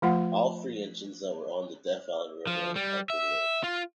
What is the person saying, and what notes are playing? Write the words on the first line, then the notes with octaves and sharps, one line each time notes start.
All three engines that were on the Death Valley Railroad are preserved.
F3 A3 F4 F#5
F3
G3
E5
F4